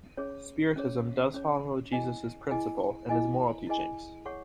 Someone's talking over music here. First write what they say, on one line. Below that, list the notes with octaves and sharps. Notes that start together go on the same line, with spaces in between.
Spiritism does follow Jesus's principal and his moral teachings.
C#4 G#4 C#5
C#4 G#4 C#5
C#4 G#4 C#5
E4 G#4 D#5 G#5
E4 G#4 D#5 G#5
E4 G#4 D#5 G#5
E4 G#4 D#5 G#5
G#4 C#5 F#5 C#6